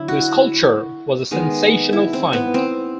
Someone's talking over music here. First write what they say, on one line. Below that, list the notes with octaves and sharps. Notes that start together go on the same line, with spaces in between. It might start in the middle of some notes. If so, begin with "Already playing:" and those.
The sculpture was a sensational find.
Already playing: D3 F#3 E4
F#4
D#3 G#3 B3
E4
C4
B3
C4